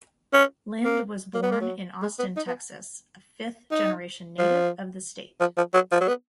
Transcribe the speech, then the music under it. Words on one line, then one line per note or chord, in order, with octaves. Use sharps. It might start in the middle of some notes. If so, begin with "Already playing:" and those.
Lind was born in Austin, Texas, a fifth-generation native of the state.
C#4
A#3
A#3
B3
A#3
F#3
G#3
B3
D#4
B3
D#4
F3
F3
F3
F#3
F3
F#3
B3